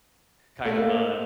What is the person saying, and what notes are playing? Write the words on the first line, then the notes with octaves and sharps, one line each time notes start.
kind of, uh,
A3
A#3